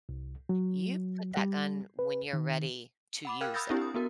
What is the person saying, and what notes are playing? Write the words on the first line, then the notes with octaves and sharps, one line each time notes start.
you put that gun when you're ready to use it.
C2
F#3
G3
B4
D#3
F#5 B5 D6
A#4 F5 G5 F6 F#6 G#6
B5 D#6 E6 G6 A6 A#6
C4 D4 E4 G4
D#6
B3 F#4 A#4